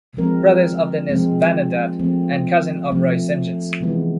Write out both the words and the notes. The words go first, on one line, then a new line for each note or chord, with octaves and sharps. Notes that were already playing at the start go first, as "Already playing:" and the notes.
Brother of Dennis Vanendert and cousin of Roy Sentjens.
F3 G#3 C4 A#4
F3 G#3 C4
F3 A3 C4
F3 A3 C4
C3 E3 G#3 B3